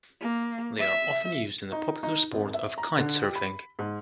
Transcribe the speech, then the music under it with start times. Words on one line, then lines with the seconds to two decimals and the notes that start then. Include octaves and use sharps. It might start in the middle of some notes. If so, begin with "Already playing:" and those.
They are often used in the popular sport of kite surfing.
0.21 A#3
0.79 E5
1.72 D#4
2.03 D#4
2.32 G#1
2.54 E5
2.78 A#5
2.99 D3
3.23 G4
3.36 B5
3.79 G#2